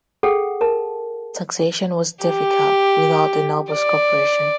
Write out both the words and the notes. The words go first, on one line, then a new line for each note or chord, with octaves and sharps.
Taxation was difficult without the nobles' cooperation.
G#4 A4 F#5 G5
A#4 A5
G4
D5